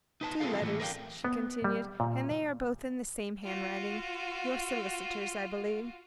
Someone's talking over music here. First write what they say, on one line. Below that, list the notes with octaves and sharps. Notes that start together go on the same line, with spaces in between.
"Two letters," she continued, "and they are both in the same handwriting--your solicitors', I believe."
D#4 B4 A5
C4 E4 F4 G#4 A4 F5
A2 E3 G#3 A3
A#4 B4 D5 E5 F5 G5
B3
G3
A#2
F4 F#4